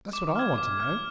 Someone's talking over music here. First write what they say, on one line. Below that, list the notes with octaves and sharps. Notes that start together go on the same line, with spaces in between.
That's what I want to know.
D6
F6 G#6
D6
F6 G#6